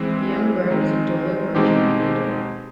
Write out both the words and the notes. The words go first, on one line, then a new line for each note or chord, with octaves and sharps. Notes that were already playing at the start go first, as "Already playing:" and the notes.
The young bird is a duller version of the adult.
Already playing: E3 G#3 C4
D#3 G#3 C4 D#4
B2 G#3 C4 D#4 G4